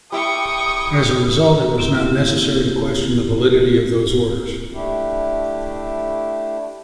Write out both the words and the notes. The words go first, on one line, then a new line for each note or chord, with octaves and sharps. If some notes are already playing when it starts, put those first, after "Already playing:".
As a result, it was not necessary to question the validity of those orders.
G3 E4 G5 C#6 D#6
A#3 C4 E4 G4
A3 D4 E4 G4